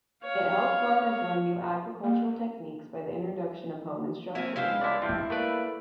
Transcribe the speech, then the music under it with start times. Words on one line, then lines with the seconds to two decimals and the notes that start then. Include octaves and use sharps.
It helped farmers learn new agricultural techniques by the introduction of home instruction.
0.24 C#5 F5
2.04 A#3
4.35 A#3 C4 E4 C#5 G#5
4.56 G3 G#3 B3 E4 C5 F5
4.81 C#2 D3 E4 D5
5.02 G2 F3 C4 E4
5.30 A3 A#3 A4 B4 D5